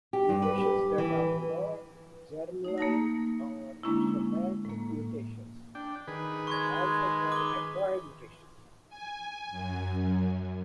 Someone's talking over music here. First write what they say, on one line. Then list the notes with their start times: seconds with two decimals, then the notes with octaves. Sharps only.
Mutations that are not "germline" are somatic mutations, which are also called "acquired mutations".
0.13 G4
0.29 G2
0.42 B4
0.58 G4
0.98 E3
2.65 A3 D#4
2.78 A#3 D#4 A5 A#6
3.83 D3 G#3 A#3 C#4 D4 E4
4.65 A2 A#3
5.75 D4 G5
6.07 D#3 G#4 B4
6.47 G#3 C#6 G#6
7.32 D6 G7
8.89 G#5
9.51 F#2